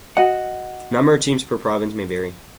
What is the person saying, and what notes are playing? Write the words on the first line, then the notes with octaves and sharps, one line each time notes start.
Number of teams per province may vary.
F#4 D#5 F#5